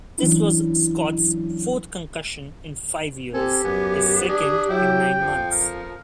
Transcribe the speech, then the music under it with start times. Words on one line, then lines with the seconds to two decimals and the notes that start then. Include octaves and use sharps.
This was Scott's fourth concussion in five years, his second in nine months.
0.18 E3 F#3 C#4 D4 E4
3.34 C4 G4 A4 G#5
3.64 F#2 B3 G#5
4.28 D4 G#4
4.70 F#3 E4 G5
5.21 F2 F3
5.51 A#4